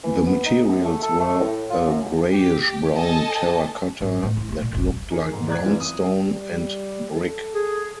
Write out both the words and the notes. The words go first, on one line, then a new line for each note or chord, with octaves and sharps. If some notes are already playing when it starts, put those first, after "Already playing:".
The materials were a grayish-brown terra cotta that looked like brownstone, and brick.
E3
B3
D#4
F#2
A3
A4
A3
A2
F4
F#2
G4
A4 D#5 G#5 A5
G#1
A2
C#4 E4
A3 B3
A#2
F1 B1
D#4 G#4 A#4
F1 G#2
D5 A#5 F#6 G#6
F#2 E3 F3 G3 C4 F4
D#6
G3
A4
G#4